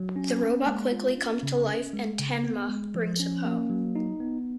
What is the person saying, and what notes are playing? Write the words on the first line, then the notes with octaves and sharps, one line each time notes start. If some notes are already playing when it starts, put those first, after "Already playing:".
The robot quickly comes to life, and Tenma brings him home.
Already playing: F#3
C#4
A#3
G#3
F4
C#4
C#3
C#4
G#3
C#3
B3
G#3
F3
C#4
A#3
F#3
D#4
B3